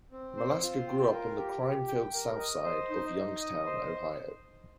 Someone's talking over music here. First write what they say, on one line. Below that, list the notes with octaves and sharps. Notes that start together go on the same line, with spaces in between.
Malaska grew up on the crime filled south side of Youngstown, Ohio.
C4
C5
F4
G5
A#4
G4
G4
G5
A#4
D#5
C5
D#4
D#4
D#5
C5